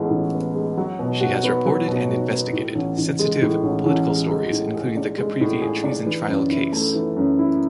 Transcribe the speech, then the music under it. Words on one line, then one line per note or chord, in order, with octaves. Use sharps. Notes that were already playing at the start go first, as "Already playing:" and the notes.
She has reported and investigated sensitive political stories including the Caprivi treason trial case.
Already playing: A1 A2 G#3 B3
A1
B3
G#3
F#3
B2
F#4
B3
F#3
B2
F#4
B3
A2
A1
A1
G#3
A2
A1
A1
G#3
G#3
A2
G#4
D4
G#3
A2
G#4
D4
E3
F#2
E4
A3
E3
F#2
E4